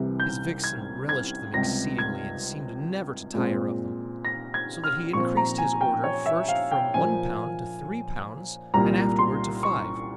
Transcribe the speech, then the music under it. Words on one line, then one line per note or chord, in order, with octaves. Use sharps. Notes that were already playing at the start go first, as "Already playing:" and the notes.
His vixen relished them exceedingly and seemed never to tire of them, so that he increased his order first from one pound to three pounds and afterwards to five.
Already playing: C2 C3 E3
G6
G#6
G#6
C#2 C3 G3 A#6
G#6
A#2 G#3 C4
A#6
G#6
F6
A#2 F3 C4 C#6
A#5
G#5
G5
C#5
E5
F5
G5
A#2 F3 A#3 G#5
C2 A#2 G3 A#3 A#5
C6
C#6